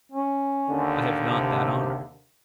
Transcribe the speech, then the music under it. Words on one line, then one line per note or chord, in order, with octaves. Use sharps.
"I have not that honor."
C#4
D#2 D3
C3